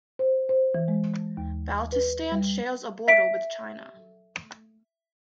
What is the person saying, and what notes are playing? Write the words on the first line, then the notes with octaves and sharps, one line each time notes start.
Baltistan shares a border with China.
C5
C5
E3
G#3
D#2
B4
G3
E5 B6 D7